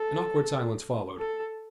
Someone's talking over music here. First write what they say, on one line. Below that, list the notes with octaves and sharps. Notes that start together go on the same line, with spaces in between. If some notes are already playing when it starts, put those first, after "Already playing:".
An awkward silence followed.
Already playing: A4
A4